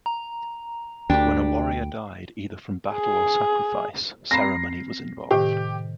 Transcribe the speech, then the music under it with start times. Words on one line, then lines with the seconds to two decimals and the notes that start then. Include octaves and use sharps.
When a warrior died either from battle or sacrifice, ceremony was involved.
0.06 A#5
1.10 D2 D4 G4 G5
2.92 G#4
4.31 C4 A#5 B5 A#6 C7
5.31 A2 C3 D#3 G4